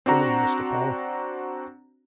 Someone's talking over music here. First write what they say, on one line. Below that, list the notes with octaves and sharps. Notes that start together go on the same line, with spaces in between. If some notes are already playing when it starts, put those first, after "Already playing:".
Come in, Mr. Powell.
C4 D4 F#4 A#5